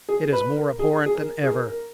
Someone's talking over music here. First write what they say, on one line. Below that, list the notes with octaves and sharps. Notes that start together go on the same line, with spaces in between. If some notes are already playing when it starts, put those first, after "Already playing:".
It is more abhorrent than ever.
G#4
B4
A#4
G#4
G#4
A#4
G#4
A#4
A#4